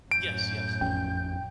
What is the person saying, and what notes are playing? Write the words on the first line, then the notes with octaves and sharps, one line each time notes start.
Yes. Yes.
F#2 A2 G6 D7
A1 F2 C#4 G5